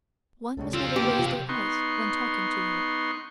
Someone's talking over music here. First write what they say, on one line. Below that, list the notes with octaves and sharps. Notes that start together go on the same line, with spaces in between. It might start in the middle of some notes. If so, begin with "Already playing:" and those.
One must never raise their eyes when talking to her.
C#2 C#3 G3 A3
C4 F4 A4
D3 A#3 B3 G4
C3 F5
B3 D#4 C6 C#6